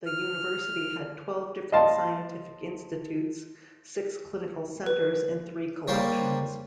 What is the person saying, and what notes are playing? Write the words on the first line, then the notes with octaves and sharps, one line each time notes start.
The University had twelve different scientific institutes, six clinical centers, and three collections.
F6
D#5 F5 A5 C6
B4
G3 A#3 C5 C#5